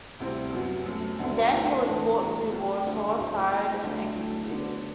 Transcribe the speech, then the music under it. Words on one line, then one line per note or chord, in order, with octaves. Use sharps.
Than he was brought to Warsaw, tried and executed.
D2 C3 G3 C4 E4
F#2 F#3 B3 F#4
F#2 F#3 A3
D2 D3 F#3
B2 A3 C4
A2 E3 A3 D4 A4
A2 E3 G3 B3
C2 B2 F#3 A3
D2 D3 G3 D4
A2 F#3 C4
B2 A3 E4
D2 D3 F#3 A3 D4
F#3 A3 E4
D3 F#3 B3 D4